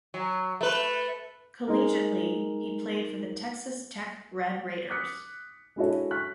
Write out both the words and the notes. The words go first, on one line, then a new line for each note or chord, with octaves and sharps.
Collegiately, he played for the Texas Tech Red Raiders.
F#3
A3 B4
G#3 D#4 A#4
D6 D#6 F#6 B6 C#7
G#3 D4 E4 F#4 A4 C#5
C#6 F#6 B6